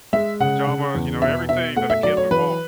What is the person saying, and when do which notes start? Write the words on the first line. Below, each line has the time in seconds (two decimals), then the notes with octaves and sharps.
pajamas, you know, everything that a kid would want.
0.13 G#3 E5
0.40 C#3 F#5
0.67 C#3
0.95 E2
1.22 B2 E5
1.49 B2 E5
1.76 A3 F#5
1.90 E5
2.03 F#3 D5
2.17 C#5
2.31 E3 B4